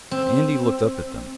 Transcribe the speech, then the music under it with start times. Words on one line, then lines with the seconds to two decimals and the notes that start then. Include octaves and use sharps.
Andy looked up at them.
0.11 C4